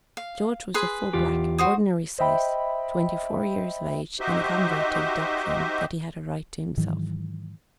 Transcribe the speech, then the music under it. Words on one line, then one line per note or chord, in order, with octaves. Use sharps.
George was a full black, ordinary size, twenty-four years of age, and a convert to the doctrine that he had a right to himself.
F5
G#4 B4 C6
E2 F4 G4
F#4 C5 D#6
C5 D#5 E5 G5 B5
D#4 F#4 G4 C5 D#5 E5
G#2 D#3 E3 F#3